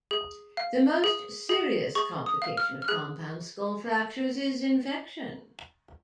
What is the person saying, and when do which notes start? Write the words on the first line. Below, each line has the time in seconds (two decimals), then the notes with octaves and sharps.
The most serious complication of compound skull fractures is infection.
0.11 G#4
0.57 F5
1.04 G#4
1.49 G#4
1.95 G#4 C#6
2.26 D#6
2.42 F5
2.57 F6
2.82 F6
2.88 G#4 F#6